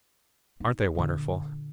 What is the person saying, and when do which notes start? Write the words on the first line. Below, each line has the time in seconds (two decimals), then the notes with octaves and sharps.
"Aren't they wonderful?"
0.60 D#4
0.95 A#2 D3